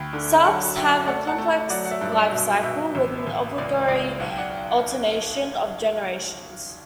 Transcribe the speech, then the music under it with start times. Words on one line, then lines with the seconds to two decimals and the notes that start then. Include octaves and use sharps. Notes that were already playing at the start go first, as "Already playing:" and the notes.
Salps have a complex life cycle, with an obligatory alternation of generations.
Already playing: D2 G5 B5
0.13 D3
0.44 F#3 F#5 A5
0.76 F#2 E5 G5
1.06 A3 D5 F#5
1.27 F#5 A5
1.38 A3
1.69 F#3 D5 F#5
1.85 F#5
1.91 E5
2.01 G2
2.12 D5
2.32 B2 E5
2.63 B2 E5
2.95 A1
3.27 A1
3.58 C#2 D5
3.88 C#2 D5
4.20 B1 F#5
4.29 G5
4.38 D5 F#5
4.51 G5